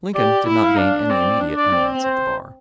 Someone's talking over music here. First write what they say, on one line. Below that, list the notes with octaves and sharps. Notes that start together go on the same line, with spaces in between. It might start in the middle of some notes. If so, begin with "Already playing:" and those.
Lincoln did not gain any immediate eminence at the bar.
G4 D5
E4
F5
D4
C4 D5
D4
D5
C4
C5